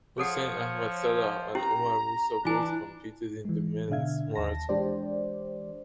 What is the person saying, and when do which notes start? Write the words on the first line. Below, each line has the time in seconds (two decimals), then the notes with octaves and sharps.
Hussein Ahmed Salah and Omar Moussa both competed in the men's marathon.
0.18 F3 G#4 A4 C#5 F#5
1.55 C#4 E4 G4 A#5
2.45 E3 D4 F4 G#5
3.45 E3 G#3
3.89 B2 D3 D4 E5 F5 G#6
4.35 D#2 A5 A#6
4.69 E3 G#3 D4 G4 C5 D5